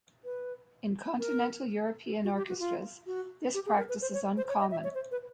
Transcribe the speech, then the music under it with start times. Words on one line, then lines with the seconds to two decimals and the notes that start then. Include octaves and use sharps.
In continental European orchestras, this practice is uncommon.
0.25 B4
1.19 A#4
2.24 F#4
2.37 G4
2.49 F#4
2.60 F4
3.07 F#4
3.54 G4
3.66 G#4
3.78 A#4
3.89 B4
4.02 C5
4.14 C#5
4.37 C5
4.49 C#5
4.60 D#5
4.71 E5
4.84 C#5
4.95 C5
5.11 B4